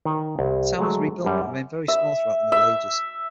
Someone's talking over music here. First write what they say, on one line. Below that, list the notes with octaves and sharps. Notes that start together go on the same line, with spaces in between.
The town was rebuilt but remained very small throughout the Middle Ages.
D#3
C2
F#3 G#3 A3
F#2 G3
E5
E5